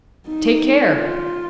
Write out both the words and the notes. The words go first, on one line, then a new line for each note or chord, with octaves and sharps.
Take care!
D#4
F4